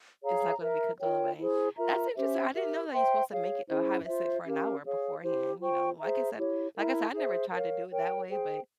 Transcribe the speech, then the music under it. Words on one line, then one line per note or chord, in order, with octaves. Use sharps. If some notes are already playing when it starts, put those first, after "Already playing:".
It's not gonna be cooked all the way. That's interesting. I didn't know that you're supposed to make it uh, have it sit for an hour beforehand, you know, like I said like I said, I never tried to do it that way, but
G#4 C#5 F5 A#5
A#4 E5 A#5
F4 A#4 C#5 G5
E4 G#4 C5
F4 A#4 E5 A#5
C#4 G4 C5 E5
G4 A#4 E5
C5 E5 G5 C6
G#4 C#5 F5
C#4 E4 G#4 C5
F4 C5 E5
C#4 G4 A#4 F5
G#4 C#5 F5
E4 G4 C5
F4 C5 G5 C#6
G#4 C5 E5 A#5
E4 G4 C#5
E4 A#4 E5 A#5
G#4 C5 E5
A#4 C#5 F5
A#4 C#5 G5
G#4 C5 G5